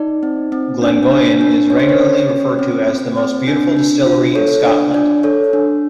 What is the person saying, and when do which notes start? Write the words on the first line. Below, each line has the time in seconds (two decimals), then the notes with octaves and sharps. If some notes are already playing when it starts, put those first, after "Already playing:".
Glengoyne is regularly referred to as the "most beautiful distillery in Scotland".
Already playing: D#4 D5
0.23 C4
0.52 C4
0.82 D4
1.11 D4
1.41 D4
1.70 C#4 C#5
1.80 C5
1.89 C#5
2.00 C#4
2.30 C#4
2.59 C4
2.88 C4
3.17 C4
3.47 D4
3.77 D4
4.06 F4
4.35 A4 C#5
4.65 D4 D5
4.94 D4 D5
5.23 A4 C#5
5.53 D4